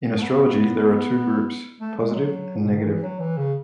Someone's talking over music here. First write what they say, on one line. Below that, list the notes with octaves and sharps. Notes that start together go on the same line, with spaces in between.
In astrology there are two groups: positive and negative.
A3
B3
A3
G#3
F#3
A2
B2
C#3
D#3
E3
F#3
E3
C#3